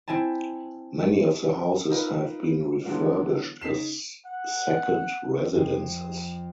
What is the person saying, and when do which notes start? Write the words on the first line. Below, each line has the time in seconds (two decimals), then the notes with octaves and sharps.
Many of the houses have been refurbished as second residences.
0.08 C4 E4 E5 G#5 A5
1.91 D#4 F4 A#4 B4
2.85 D3 E3 F#3 G#3 B3 F4
3.61 C#3 D#4 B6 C7 E7
4.26 F#5
5.55 F2